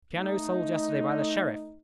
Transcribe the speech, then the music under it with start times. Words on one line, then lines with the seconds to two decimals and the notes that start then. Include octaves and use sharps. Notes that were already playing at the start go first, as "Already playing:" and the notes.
Piano sold yesterday by the sheriff.
0.14 A3 D#4